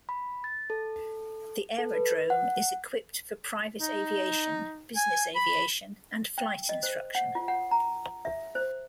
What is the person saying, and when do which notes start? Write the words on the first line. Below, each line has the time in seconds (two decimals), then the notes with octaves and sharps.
The aerodrome is equipped for private aviation, business aviation and flight instruction.
0.09 B5
0.44 A6
0.70 A4
1.78 A4
1.93 B4
2.30 F#5
3.81 D#4
4.96 G#5
5.35 B5
6.38 G5
6.69 D#5
6.83 C5
7.15 F#5
7.35 F4
7.48 F#5
7.71 A#5
8.25 E5
8.55 C5